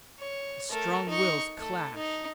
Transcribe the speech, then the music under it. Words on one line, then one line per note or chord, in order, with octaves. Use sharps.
The strong wills clashed.
C#5
A3 A#4
D#4 C#6
A3
D#4